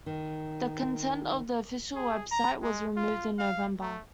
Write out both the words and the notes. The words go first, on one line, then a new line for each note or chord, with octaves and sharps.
The content of the official website was removed in November.
D#3
G#4
A#5
G#3
F4
F5
A3